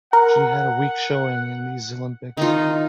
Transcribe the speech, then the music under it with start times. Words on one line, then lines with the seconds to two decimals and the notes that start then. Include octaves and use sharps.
She had a weak showing in these Olympics.
0.13 A#4 F#5
2.37 D#3 D#4 F4